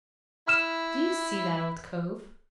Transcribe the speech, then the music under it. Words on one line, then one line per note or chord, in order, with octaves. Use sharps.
"Do you see that old cove?"
E4 B5 F6 E7